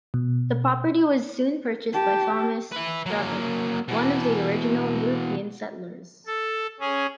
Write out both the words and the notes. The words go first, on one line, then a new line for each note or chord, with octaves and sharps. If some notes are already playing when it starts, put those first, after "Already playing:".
The property was soon purchased by Thomas Revell, one of the original European settlers.
B2
G4 A5
B4 E5
F#3 A#3
B2 E3
A4
C#4 G#4